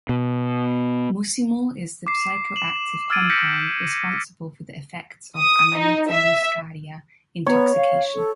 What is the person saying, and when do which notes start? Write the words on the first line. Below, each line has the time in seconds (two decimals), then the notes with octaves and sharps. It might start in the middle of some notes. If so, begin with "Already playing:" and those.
Muscimol is the psychoactive compound responsible for the effects of "Amanita muscaria" intoxication.
0.09 B2
2.07 D6 C7
2.56 E7 F#7
3.10 E6 F6 G#6 A6 D7 D#7
3.29 G6 A#6 B6 C#7 D7
5.39 D#6
5.77 D#4
6.11 E5
7.47 B3 C#5
7.76 F5
8.15 A4